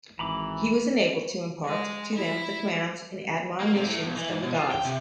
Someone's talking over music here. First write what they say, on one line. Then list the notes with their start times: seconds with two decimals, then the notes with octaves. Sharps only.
He was enabled to impart to them the commands and admonitions of the gods.
0.19 G#1 E3 A#5 B5 D6
1.65 G#3
2.15 E4
3.60 A#3
3.74 C3
3.87 A2
4.04 B1
4.17 E3
4.30 G#2
4.43 B2
4.55 F4
4.72 G5
4.85 C3